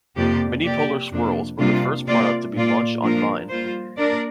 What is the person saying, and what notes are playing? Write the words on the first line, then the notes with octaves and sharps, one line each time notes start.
Mini Polar Swirls were the first product to be launched on Vine.
F2 C3 A#3 G4 D5
C3 A#3 G4 D5
F2 C3 A#3 D4
C3 G3 A#3 D4 F4
C3 A#3 F4 D5
A#2 A#3 F4 D5
F3 A#3 D4 F4 A#4
G3 A#3 F4 C5
A#3 D4 A#4 D5